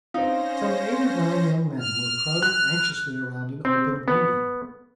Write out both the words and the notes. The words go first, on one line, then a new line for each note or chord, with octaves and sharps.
Some eight or nine young men were crowding anxiously round an open window.
C4 C#4 D#4 C5 F5 A#6
F6
F#6
C4
B3